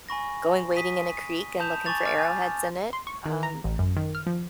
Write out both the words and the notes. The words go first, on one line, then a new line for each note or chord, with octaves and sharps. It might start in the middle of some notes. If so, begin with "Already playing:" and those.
going wading in a creek, and looking for arrowheads in it, um,
G#5 B5 C#6 A#6
D#6 B6 D#7
A5 B5 D#6 G6 E7 F7
G#5 B5 C#6 D6 A6 F7
D6 F6 A6
G#5 A6
C6
C#6
D#3
A#5
A1
F#2
D#3
F6
F3